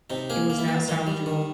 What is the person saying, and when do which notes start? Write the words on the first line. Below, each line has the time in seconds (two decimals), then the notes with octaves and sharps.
it was not salvageable,
0.10 C3 D#4
0.30 A#3 G#4
0.50 A#3
0.59 E4
0.68 E3
0.88 D#3 D#4
1.07 G3
1.26 D#3